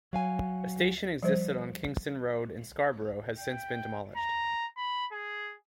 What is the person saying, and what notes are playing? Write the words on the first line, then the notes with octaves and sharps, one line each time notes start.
A station existed on Kingston Road in Scarborough has since been demolished.
F#3 F5 G#5
F3 G3 C5
G5
A#5
B5
G#4